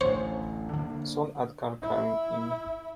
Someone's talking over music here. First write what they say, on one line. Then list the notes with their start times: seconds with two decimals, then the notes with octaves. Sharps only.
Soon Edgar came in.
0.01 A1 D2 C5 C#5
0.73 D3 A#3
1.82 E4